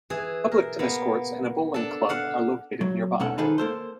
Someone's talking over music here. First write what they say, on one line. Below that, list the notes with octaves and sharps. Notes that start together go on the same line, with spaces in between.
Public tennis courts and a bowling club are located nearby.
E3 G#4
A#4
A#3 B3
D4 A4
D4 F5 F#5
F#3
B1 B2 C#4 A4 F#5
D#3 F3 D#4 G#4 A4 B4
A#3 A4 C5